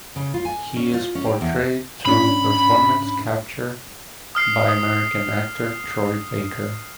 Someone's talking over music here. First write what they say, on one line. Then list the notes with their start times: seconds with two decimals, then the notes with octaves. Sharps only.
He is portrayed through performance capture by American actor Troy Baker.
0.16 C#3
0.34 F4
0.45 G#5
0.76 C#4
0.94 F4
1.15 C#4
1.26 G4
1.41 E2
2.06 G#2 C#4 D4 B5
4.35 D#6 F6 C7
4.69 D#6